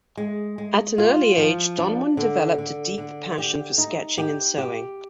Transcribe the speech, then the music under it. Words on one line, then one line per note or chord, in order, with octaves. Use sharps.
At an early age, Donwan developed a deep passion for sketching and sewing.
G#3
G#3
F4
F3
D4
D3
D3
D3
G4
D#4
G4
G4